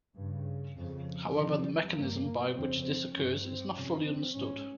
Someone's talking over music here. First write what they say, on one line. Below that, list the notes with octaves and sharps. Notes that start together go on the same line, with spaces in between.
However the mechanism by which this occurs is not fully understood.
G2 C#3
F2 C#3
F2 C3 D#3
G3
G2 A#3
A#3
F2 C#3 C4
C4
G2 C#4
C4
F2 C3 C#4
C4
G#2 C#4